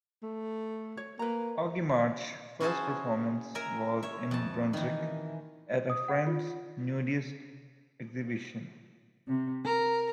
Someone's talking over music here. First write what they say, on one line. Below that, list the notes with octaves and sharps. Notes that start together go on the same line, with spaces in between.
Augie March's first performance was in Brunswick at a friend's nudist exhibition.
A3
C#5
A#3 B4 A#5
C#4 E4 F#4 G#4 C5 A5
A#4 E5 G#5 A#5
C#5 E5
F2 A5
D#3 E3
D#6
F#5
F4
C3
A#4